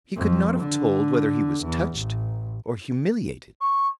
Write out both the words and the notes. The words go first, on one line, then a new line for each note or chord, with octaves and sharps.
He could not have told whether he was touched or humiliated.
F2
D3
E2
A1
C#6